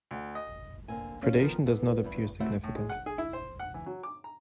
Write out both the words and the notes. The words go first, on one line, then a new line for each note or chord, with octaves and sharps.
Predation does not appear significant.
D2
D#5
D3 A#3 C4 G#5
C#4 F4
D#3 F3 B3 A4 A#4
E3 B3 A4
E2 G2 E4 B4
A3 C4 E4 F#4 F#5
A2
G#3
F#5
G#4
E4
C5
F#5
E3
F#3
D6
A#5